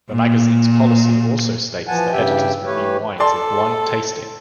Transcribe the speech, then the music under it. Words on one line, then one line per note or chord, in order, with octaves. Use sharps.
The magazine's policy also states that editors review wines in blind tasting.
A#2
E3 F3 F#5 G#5 A5
G2 C#3 E3 G4 E5 G5
E3 A3 G4 B4 C#5
A4 D5 A5 C6